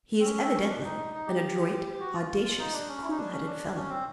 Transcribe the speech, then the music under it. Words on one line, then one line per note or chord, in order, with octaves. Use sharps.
He is evidently an adroit, audacious, cool-headed fellow.
C4
C#4
C4
C#4
D4
D#4
D#4
G4
F#4
F4
F4
D#4
D4
C#4
E4
D#4
D4
C#4
D4
C#4
C4